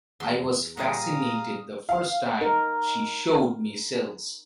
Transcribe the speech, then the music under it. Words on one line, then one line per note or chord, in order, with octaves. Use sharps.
I was fascinated the first time she showed me cells.
E2 C6
A#2 G3 G#4 F5 A#5 D#6
F5
D#4 A#4